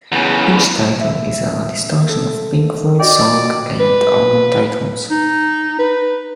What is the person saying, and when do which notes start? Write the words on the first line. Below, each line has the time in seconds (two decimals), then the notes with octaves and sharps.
Each title is a distortion of Pink Floyd song and album titles.
0.12 E2 C#3
1.01 E5
2.09 A4
3.00 F#4 D5 D#5 G5
3.80 B4
5.11 D#4
5.79 B4